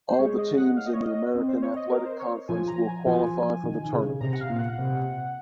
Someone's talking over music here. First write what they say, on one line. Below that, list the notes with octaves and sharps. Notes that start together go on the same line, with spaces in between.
All the teams in the American Athletic Conference will qualify for the tournament.
C5
G#3 C#5
D#5
F#5
F5
D#5
C#5
D#5
C4
C5
C#5
D#5
A#4
C5
C#5
F3 G#5
A#5
G#5
F3 G#5
D#3
C#3
C3 A#5
F#5
F5
A#2
F5
F#5
C3